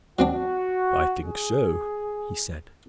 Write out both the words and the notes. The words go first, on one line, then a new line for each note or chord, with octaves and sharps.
"I think so," he said.
F#3 C4 D4 F#4
G#4